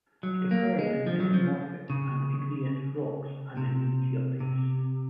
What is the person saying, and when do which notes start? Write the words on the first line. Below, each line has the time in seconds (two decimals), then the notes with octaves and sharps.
It occurs in metamorphic and igneous rocks and in meteorites.
0.23 F#3
0.51 A#3
0.79 G#3
1.07 F3
1.20 F#3
1.34 F3
1.90 C#3
3.57 C3
4.40 C3